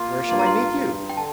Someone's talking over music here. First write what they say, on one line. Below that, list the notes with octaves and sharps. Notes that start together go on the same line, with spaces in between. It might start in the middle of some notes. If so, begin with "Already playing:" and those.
"Where shall I meet you?"
Already playing: A#3 F4 C6
G2 C6
A#5
C6
G2
G5
D3 A5